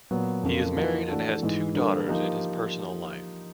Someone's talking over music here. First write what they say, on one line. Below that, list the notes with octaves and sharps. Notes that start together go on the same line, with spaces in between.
He is married and has two daughters in his personal life.
A#2 F#3 B3
F2 C#3 F3 A#3
F3 A#3 D#4 F#4
E3 A3 D4 F#4 A4
G#2 E3 G#3
D3 G3 A#3 D4
F3 A#3 D#4 G4